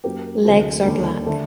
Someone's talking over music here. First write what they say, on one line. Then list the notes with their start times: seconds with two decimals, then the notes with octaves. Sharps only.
Legs are black.
0.04 F#2 F#3 A#3 G4 A#4
0.45 D2 C3 F#3 A4 C5
0.85 D#2 D3 G3 A#3
1.26 D3 A3